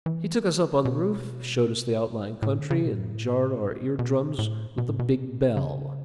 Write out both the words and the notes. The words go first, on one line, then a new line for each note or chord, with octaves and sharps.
He took us up on the roof, showed us the outlying country, and jarred our ear-drums with the big bell.
E3
B2
A2
D3
C#3
B2
A2
B2
A2
B2
A2
B2
C#3